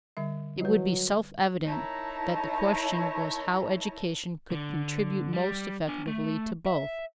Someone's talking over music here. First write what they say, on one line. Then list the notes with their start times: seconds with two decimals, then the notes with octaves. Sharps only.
It would be self-evident that the question was how education could contribute most effectively to both.
0.17 D3 G3 E5
0.61 F#3 G3 B4
1.64 D#4 E4 A#4 C#5 A5 A#5
4.52 D3
5.33 G3
5.88 D4 G#5
6.07 A3
6.66 E5